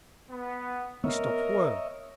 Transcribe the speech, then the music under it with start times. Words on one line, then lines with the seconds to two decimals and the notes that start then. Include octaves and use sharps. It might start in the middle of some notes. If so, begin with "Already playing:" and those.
We stopped work.
0.30 B3
1.04 B3 A#4 C#5 D#5 E5